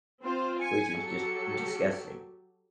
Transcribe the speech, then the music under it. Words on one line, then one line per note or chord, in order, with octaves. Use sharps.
Which is just, disgusting.
C4 F4 C5
G#5 C#7
F#3 G4 A4